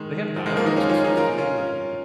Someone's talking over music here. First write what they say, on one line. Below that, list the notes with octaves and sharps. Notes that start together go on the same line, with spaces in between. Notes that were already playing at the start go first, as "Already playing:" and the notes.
They have dialects and stuff too, like in
Already playing: D#3 G#3
F3
D#3 G#3
F3 A#3
A#3 D#4
C#4 F4
C#4 F4
D#4 G#4
F4 A#4
C#4 F4